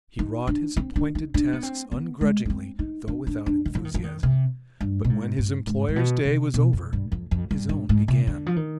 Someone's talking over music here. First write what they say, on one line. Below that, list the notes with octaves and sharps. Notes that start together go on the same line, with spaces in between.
He wrought his appointed tasks ungrudgingly, though without enthusiasm; but when his employer's day was over, his own began.
D#4
D4
C4
D4
D#4
D4
B3
C4
B3
G#3
D4
C4
D#4
D4
D4
D4
D#3
F3
D#3
F3
D#3
C3
G2
B2
G#2
G2
G#2
G#2
B2
C3
B2
F2
G2
F2
F2
G2
G2
G#2
C3
D3
F3
D#3